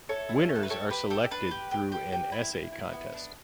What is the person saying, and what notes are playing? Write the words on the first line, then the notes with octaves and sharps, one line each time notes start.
Winners are selected through an essay contest.
E4 A4 C#5
E4
A3
A4
B4
G4 A4 C#5
G4 B4
G4 A4
D4 B4
G4
G4
G4
G4
E4
E4
E4
B3
D4